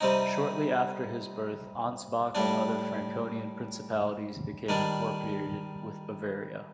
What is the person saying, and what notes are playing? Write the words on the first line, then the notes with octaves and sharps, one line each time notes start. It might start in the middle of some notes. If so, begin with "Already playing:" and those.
Shortly after his birth Ansbach and other Franconian principalities became incorporated with Bavaria.
C3 G3 C4 D#4
A2 G3 D4
D#3 G3 D4